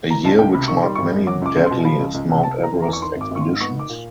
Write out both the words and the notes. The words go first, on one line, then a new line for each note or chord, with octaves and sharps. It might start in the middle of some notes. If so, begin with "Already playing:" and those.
A year which marked many deadliest Mount Everest expeditions.
E3 A#5
C#2 A5
C#2 G5
C3 B5
D#3 C#6
G3 C6
G#1 C#6
F#2
F#3 D6
C#2 D6
C#2
C6
B2
F3 B5
C#2
C#2
C3
C3 A5
E3
A#5
F1
A#5
E2
C#6
D#3 C6
G#1 D6
G#1 C#6
C6
G#2
B3 C#6
D#4 D6
A#2